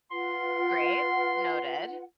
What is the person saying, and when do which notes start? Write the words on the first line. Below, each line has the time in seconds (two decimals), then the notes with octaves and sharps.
Great. Noted.
0.11 F4 B4 F#5 C6